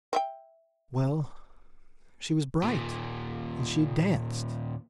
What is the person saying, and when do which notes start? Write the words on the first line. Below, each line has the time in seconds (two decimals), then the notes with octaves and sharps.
Well, she was bright; and she danced.
0.13 C4 E5 G5
2.63 D#2 A#2